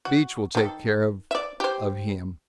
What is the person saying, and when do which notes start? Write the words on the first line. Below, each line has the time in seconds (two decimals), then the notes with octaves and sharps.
Beach will take care of--of him.
0.05 F#4
0.55 D#3 A4
1.31 D5 E5
1.60 G4 C5